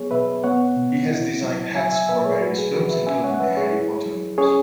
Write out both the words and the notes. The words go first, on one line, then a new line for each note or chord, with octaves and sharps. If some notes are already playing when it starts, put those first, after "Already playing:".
He has designed hats for various films, including the Harry Potter films.
Already playing: F#3 B3 G#4 C#5
B2 B4 E5
B3 C#5 F#5
B2
E4
F#3
F#3 E5 G#5
E5 G#5
B2 B4 E5
G#4 C#5
F#3 F#4 B4
G#4
C#3 F#4 B4
B4 E5
C#4 E5 G#5
C#5 F#5
F#5
F#3 B4 E5
G#4 C#5
E4
F#3
C#4 G#4 C#5